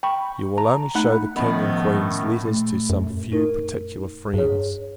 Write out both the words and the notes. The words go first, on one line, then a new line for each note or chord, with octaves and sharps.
You will only shew the King and Queen's letters to some few particular friends.
G5 B5 C#6
A5 A#5
A3 D#4 F#5 B5 F#6
A2 D#3 F3 A3 B3 C#4 D#5 B5
A#2 A3
F#2
D#4 A#4
G2 G#4 C#5